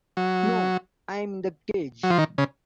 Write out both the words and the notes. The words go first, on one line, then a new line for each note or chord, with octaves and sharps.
No I'm in the Cage.
F#3
F#3
F3
D#3
C#3